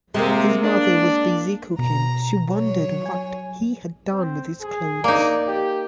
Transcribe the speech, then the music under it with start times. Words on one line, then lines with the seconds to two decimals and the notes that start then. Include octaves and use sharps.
His mother was busy cooking; she wondered what he had done with his clothes.
0.14 C3 G#3 A#3
0.63 D4
1.79 B2 A#5
2.53 F#3 C#5
3.06 G#5
4.12 C4
4.61 G#4
5.04 A#3 D#4 D5
5.47 G4